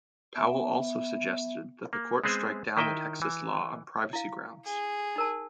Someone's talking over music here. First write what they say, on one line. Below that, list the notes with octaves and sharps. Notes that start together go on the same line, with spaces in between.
Powell also suggested that the Court strike down the Texas law on privacy grounds.
B3 E5
A#3
G#3 B3 C4 G#4 C5
D#3 E4 D#5 E5 G5
E3
E4 F5
G#4
D#4 A#4 A5